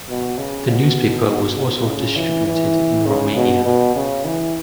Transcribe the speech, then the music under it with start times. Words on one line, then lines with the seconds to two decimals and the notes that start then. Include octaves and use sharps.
The newspaper was also distributed in Romania.
0.09 B2
0.38 C#3
0.69 B2
1.27 B2
1.58 B2
1.88 C#3
2.16 E3
2.47 E3
3.06 C#3
3.36 B2
3.66 B2
3.96 C#3
4.25 E3